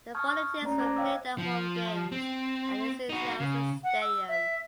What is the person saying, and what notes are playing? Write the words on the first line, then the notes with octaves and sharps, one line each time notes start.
The Volunteers will play their home games at Lindsey Nelson Stadium.
A5 C#6 D#6 F6 G6 G#6
A3 A#3 C#4 D5 A#5
C5 A5 D6 F#6 G#6 A#6
C#5 D#5 F5 G5 D6 E6
F3
C4
D#4 F#4
C#3
F#5
E6
E5